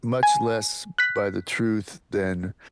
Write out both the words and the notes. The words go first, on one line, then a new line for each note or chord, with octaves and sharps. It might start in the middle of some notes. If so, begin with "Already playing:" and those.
much less by the truth than
G#5
F#6 B6